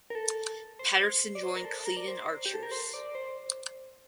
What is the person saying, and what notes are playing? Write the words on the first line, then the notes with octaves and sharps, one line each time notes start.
Patterson joined Cleadon Archers.
A#4
A4
C5
D5
C5
A#4
A4
A4
A#4
D5
C5
G4
A4
A#4
C5
D5
C5